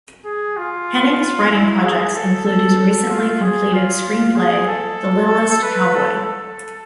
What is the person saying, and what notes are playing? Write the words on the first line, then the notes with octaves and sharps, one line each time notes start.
Hennings' writing projects include his recently completed screenplay, "The Littlest Cowboy".
G#4
F4
E4
G#4
A4
A4
A4
F4
G#4
F4
F4
G#4
A4
B4
A4
A4